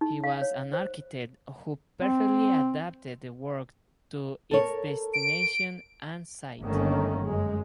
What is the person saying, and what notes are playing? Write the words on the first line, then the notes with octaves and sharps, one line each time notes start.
He was an architect who perfectly adapted the work to its destination and site.
D#4
F5
C#5
C5
C4
A4 A#4 C#5
D7
G1 D3 D#3 A3 A#3 C#4
F#2 G#3